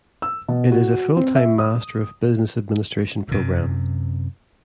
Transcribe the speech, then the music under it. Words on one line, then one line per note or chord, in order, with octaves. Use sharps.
It is a full-time Master of Business Administration programme.
E6
B2
F#4
C4
E5
D#6
F#2 C3